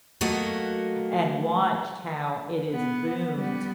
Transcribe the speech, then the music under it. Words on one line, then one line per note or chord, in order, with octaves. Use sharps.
and watched how it is boomed,
F#3 A3 A#3 F#4 D#5
B3
G3 B3